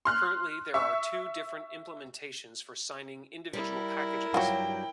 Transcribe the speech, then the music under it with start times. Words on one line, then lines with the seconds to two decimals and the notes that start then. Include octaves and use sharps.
Currently there are two different implementations for signing individual packages.
0.05 C6 F6 F#6
0.74 E5 C#6 E6
3.53 G3 E4 A#4
4.34 G2 F#3 F4 F#4 G5